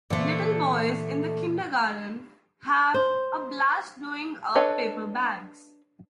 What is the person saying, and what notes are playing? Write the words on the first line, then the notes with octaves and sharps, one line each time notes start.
Little boys in the kindergarten have a blast blowing up paper bags.
A#2 D3 E3 A3 C5
C5
D4 A4 B4 C#5 D#5